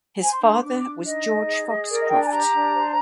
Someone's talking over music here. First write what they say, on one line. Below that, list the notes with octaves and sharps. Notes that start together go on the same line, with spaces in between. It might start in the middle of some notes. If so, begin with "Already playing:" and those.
His father was George Foxcroft.
C5 G#5
C6
D4 A#5
C6
D4 D6
D6
D4
D#4 D#5
D#4
G#4
G#4
A#4 D5
D#5
D4 G5
A#5
G#5
G4 A#5
D4
C5